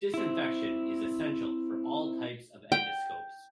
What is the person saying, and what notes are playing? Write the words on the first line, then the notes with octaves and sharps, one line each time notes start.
Disinfection is essential for all types of endoscopes.
C4 E4
G5